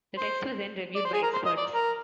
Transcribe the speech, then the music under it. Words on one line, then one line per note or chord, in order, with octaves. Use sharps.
The text was then reviewed by experts.
C5
D5
C5
G#4
A#4
C5
D#5
D5
A#4